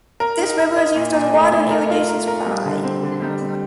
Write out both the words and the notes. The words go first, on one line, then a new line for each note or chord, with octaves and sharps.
This river is used as a water and irrigation supply.
A#4
D#4
A#4
D#5
A#2
A#2
A3
A3
A#4
F4
A#4
A#4
G3
D3
C4
D3
G3
C4